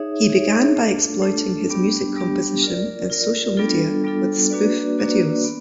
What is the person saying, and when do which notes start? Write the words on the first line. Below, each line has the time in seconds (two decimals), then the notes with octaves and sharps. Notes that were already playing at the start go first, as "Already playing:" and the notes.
He began by exploiting his music composition in social media with spoof videos.
Already playing: D#4 G#4 C#5 E5
0.28 D#4 G#4 C#5 E5
0.76 A3 D4 F4 A4
1.22 A3 D4 F4 A4
1.69 G3 B3 D4 G4
2.16 G3 B3 D4 G4
2.63 F4 A#4 D5
3.10 F4 A#4 D5
3.57 G3 B3 D4 F4 A4
4.04 G3 B3 D4 F4 A4
4.50 A#3 D4 F#4 B4 D5
4.98 A#3 D4 F#4 B4 D5
5.45 B3